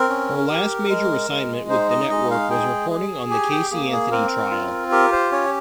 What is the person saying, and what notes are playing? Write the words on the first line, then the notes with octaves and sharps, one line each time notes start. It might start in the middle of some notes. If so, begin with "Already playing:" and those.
Her last major assignment with the network was reporting on the Casey Anthony trial.
Already playing: C4 A#4
C#4
G4
G#3
G#3
D#4 C5
D#5
G#3 D#5
F5
G#4 G5
G#4
G4 G#5
G5
A#3 G#4
G#4
C4 A#4
F4
G4 A#4
C5
C#4 C#5